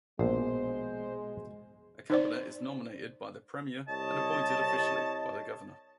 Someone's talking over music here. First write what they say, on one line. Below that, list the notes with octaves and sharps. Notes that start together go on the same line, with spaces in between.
A cabinet is nominated by the premier and appointed officially by the governor.
A#1 B2 G#3 B3 C5
D#4 C5 D5
C2 C#5 D#5 A5